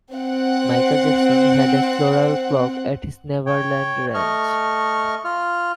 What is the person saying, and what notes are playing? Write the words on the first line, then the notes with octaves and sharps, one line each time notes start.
Michael Jackson had a floral clock at his Neverland Ranch.
C4 F#5
C#5 G5
A3 D#5 C#6 F6
F4 F6